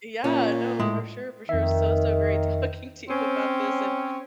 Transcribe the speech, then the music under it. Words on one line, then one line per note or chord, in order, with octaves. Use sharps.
Yeah, no, for sure, for sure, so, so great talking to you about this and
A#2 C#4
A2 G#3 E4
F2 D#3 E5
C4 C#4